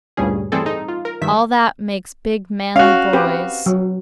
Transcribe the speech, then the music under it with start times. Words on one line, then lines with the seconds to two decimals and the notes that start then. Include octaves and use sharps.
All that makes big, manly boys.
0.17 D2 G2 A#2 G3 C#4 G#4
0.52 A2 E3 G3 C4 G#4 A4
0.66 D#4
0.88 F4
1.05 A#4
1.21 G2 D#3 E5 B6
2.76 C#4 F#4 F5
3.13 C4 G4 B4
3.66 F#3